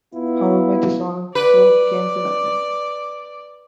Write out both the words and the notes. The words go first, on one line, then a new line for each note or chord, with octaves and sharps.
However, this also came to nothing.
B3 E4 F4
B4 D5